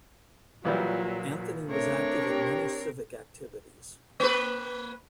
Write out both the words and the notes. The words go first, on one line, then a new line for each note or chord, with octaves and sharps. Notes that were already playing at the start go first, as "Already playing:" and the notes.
Anthony was active in many civic activities.
A#1 A#2 E3 F#3 G3 F4
A3 C4 D4 A#4 C#5
G4
A#3 B4